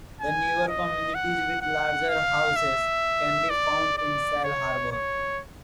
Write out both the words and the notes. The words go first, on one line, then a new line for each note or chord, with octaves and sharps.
The newer communities with larger houses can be found in Sail Harbor.
G#5
D#5
F#5
F#5
F5
E5
D5
D5
C#5
C#5